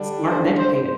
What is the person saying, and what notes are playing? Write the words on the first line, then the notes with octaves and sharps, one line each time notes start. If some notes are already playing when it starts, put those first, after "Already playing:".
smart and educated.
Already playing: D3 G3 D4
C5
C5